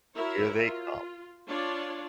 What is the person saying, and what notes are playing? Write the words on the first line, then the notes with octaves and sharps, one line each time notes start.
Here they come.
E4 F#4 A#4 C#5 E5
F4
D4 F4 C#5 D5